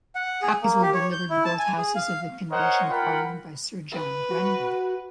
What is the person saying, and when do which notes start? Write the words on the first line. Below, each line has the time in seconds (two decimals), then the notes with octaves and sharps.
Copies were delivered to both houses of the Convention Parliament by Sir John Grenville.
0.15 F#5
0.42 G#4
0.62 A#3
0.82 G4
0.94 C#5
1.12 G6
1.30 E4
1.45 A5
1.59 G#5
1.78 G#4
1.95 F5
2.51 A#4 C5 C#5 D#5 F#5
2.89 F4 A#4 F#5 G5 B5
3.92 B4
4.30 F#4